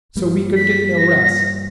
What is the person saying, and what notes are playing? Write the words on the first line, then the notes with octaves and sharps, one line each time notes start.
So we could get no rest!
G2 G3 A#3
B6
A#6